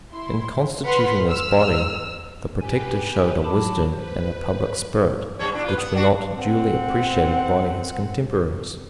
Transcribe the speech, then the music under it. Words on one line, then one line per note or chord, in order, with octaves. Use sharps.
In constituting this body, the Protector showed a wisdom and a public spirit which were not duly appreciated by his contemporaries.
E4 C6
B4 F#5 B5 C6 F6
E6 F6
G4 B4 G#5
F#3 A5 B5 D6
B4 C5
G2 G3 C#5
A2 D4
F4 B4
B3
D4 F#4
C4 F#5